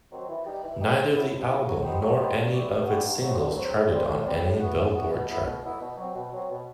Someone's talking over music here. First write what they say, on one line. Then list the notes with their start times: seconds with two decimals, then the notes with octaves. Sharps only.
Neither the album nor any of its singles charted on any Billboard chart.
0.11 D#3 F#3 C4 F#4
0.29 E3
0.46 G3 D#4 G4
0.63 E3
0.80 G3 D#4 G4
0.97 C3
1.15 F#3 B3 E4
1.32 C3
1.49 F#3 B3 E4
1.66 F#3
1.83 B3 D#4 G4 C5
2.01 F#3
2.18 B3 D#4 G4 C5
2.35 G2
2.52 E3 G3 C4 F#4
2.70 G2
2.86 E3 G3 C4 F#4
3.04 G2
3.22 F#3 C4
3.39 G2
3.55 F#3 C4
3.74 A2
3.91 G3 C4
4.07 A2
4.24 G3 C4
4.42 A2
4.60 E3 B3 F#4
4.76 A2
4.94 E3 B3 F#4
5.12 B2
5.29 F#3 B3 E4 A4
5.46 B2
5.64 F#3 B3 E4 A4
5.81 B2
5.97 F#3
6.02 C4
6.15 B2
6.32 F#3 C4
6.50 B2